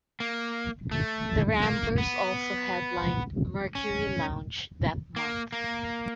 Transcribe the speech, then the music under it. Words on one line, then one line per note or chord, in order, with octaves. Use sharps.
The Ramblers also headlined Mercury Lounge that month.
A#3
A3
A#3
B3
C#4
A#3
A#3